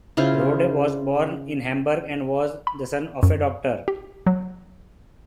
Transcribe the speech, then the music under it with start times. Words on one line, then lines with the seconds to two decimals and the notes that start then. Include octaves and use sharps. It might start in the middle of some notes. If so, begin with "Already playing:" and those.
Rohde was born in Hamburg and was the son of a doctor.
0.17 C#3 E4 F4 C5
2.67 B5
3.23 F#2
3.88 G4
4.27 F#3